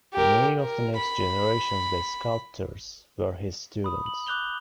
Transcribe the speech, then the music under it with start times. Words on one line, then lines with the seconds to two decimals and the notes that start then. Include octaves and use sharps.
Many of the next generation's best sculptors were his students.
0.13 G4 A#4
0.60 A#4
0.97 B5
3.84 B5 D#6
4.06 F#7
4.27 D6 F#6 G6 F7 G7